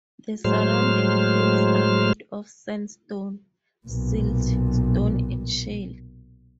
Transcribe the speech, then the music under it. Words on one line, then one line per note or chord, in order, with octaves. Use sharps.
The surrounding hills are made of sandstone, siltstone and shale.
A2 F#3 G#3 C5 F6
B1 A#2